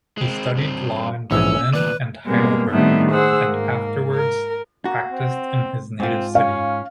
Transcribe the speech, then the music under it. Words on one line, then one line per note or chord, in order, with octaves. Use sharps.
He studied law in Berlin and Heidelberg, and afterwards practised in his native city.
G#3 C4
G2 C4
A#1 G#2 E3 C#4 E6
D2 A#2 B4 D5
B2 G3 G#3 A#3 C4
A2 D#3 G3 A3 B3 C4
G#4 C5 F#5 E6
G#2 A#3
A#4
A#3 F#4
C4
G#2 C4 F4
C#4 F5